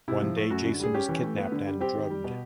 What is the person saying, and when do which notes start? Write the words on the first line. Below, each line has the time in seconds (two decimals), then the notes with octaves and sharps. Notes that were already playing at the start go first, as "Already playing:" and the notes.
One day Jason is kidnapped and drugged.
0.08 C3 E4
0.22 F3
0.36 A3
0.50 F#2 F#4
0.65 D3
0.80 G3 G#4
0.94 C#4 G4
1.09 E3
1.23 A3
1.38 B3
1.52 D3
1.67 G3
1.81 C4 G4
1.95 D#3
2.10 G3
2.24 B2